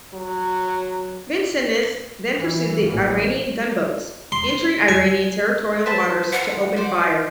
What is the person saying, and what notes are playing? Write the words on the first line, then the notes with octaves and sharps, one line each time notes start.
"Vincennes" then pursued the Iranian gunboats, entering Iranian territorial waters to open fire.
F#3
E3
A1 E3 F#3 A#3 C#4
C6
G#5
B4 C5 A5
F#5
C5 D5